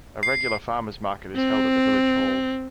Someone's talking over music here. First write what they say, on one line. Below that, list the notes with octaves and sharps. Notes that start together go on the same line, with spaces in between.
A regular farmers' market is held at the village hall.
C7
C4